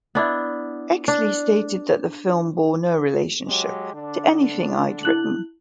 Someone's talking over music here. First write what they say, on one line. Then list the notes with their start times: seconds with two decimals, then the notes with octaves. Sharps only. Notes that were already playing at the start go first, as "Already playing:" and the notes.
Exley stated that the film bore no relationship to anything I'd written.
0.15 B3 D4 E4
1.08 D4
3.46 F#3 G#3 G4
3.93 D3 D4
5.03 E4 F#6 F#7